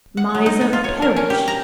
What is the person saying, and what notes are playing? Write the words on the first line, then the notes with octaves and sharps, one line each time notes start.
Miser, perish!'
F#5
F#3
D#4
D#4
F4
C#5
A#4
C#4
G4
A#5